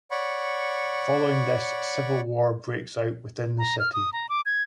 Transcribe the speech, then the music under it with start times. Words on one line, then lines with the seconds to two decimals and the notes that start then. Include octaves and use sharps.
Following this a civil war breaks out within the city.
0.11 C#5 D5 F#5 B5 C#6
3.58 A#5
3.79 F6
3.93 D#6
4.13 A#5
4.29 D6
4.46 G#6